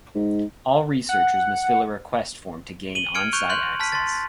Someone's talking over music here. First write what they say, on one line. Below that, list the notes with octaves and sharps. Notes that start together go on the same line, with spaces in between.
All researchers must fill a request form to gain on-site access.
G#2
F#5
D#7 F#7 G7
F6 G#6 C#7 D7
C#6 F#6 G6 F7
C6 C#6 F#6 G6 F#7
A5 F6 B6
C6 A6